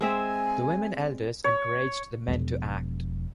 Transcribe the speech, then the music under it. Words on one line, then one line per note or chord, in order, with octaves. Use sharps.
The women elders encouraged the men to act.
G#3 C4 E5 G#5
C#5
E1 F3